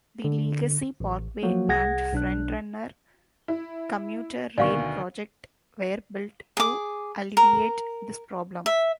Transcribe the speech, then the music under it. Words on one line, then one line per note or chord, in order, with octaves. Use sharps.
The Legacy Parkway and "FrontRunner" commuter rail project were built to alleviate this problem.
D3
A1
F3 F#3 A#3 F#4
C2 G#4 F#5 G#6 A#6
B1 D4 F#6
E4
D2 B2 D#3 D5 F5 C#6
G#4 D6
A#4
E5